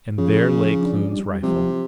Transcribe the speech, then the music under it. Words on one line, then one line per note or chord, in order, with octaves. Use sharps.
And there lay Kloon's rifle.
C#3 F3
F3
D4
G3
C3 F3